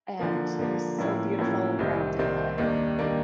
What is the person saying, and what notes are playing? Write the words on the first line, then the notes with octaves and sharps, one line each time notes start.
and it was so beautiful and grounding that
D3 F3 A#3
D3 F3 A#3
A2 F3 A#3 C#4 E4
A2 F3 A#3 C#4 E4
C2 C3 D#3 G3 C4
C2 C3 D#3 G3 C4
D#2 D#3 G3 A#3 D4
D#3 G3 A#3 D4